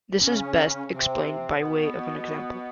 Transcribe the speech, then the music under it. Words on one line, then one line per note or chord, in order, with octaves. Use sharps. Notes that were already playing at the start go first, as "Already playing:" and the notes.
This is best explained by way of an example.
C#3 C#4
C3 C4
B2 B3